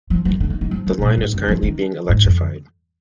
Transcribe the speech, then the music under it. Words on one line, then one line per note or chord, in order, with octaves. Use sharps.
The line is currently being electrified.
F3
F3
D#3
D3
D#3
D#3
F3
F3
B2
A#2
G#2
F#2
F3
D#3
G#2
F2